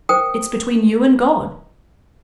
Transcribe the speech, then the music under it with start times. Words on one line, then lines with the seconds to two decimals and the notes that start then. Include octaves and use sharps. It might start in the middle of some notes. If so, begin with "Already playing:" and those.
It's between you and God.
0.09 A#4 C5 G5 D#6